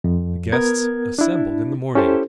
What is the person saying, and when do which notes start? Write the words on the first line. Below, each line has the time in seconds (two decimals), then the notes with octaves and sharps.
The guests assembled in the morning.
0.04 F2
0.52 B3 A#4 G#6
1.19 D4 E4
1.95 C#4 E4 G4 A4 C5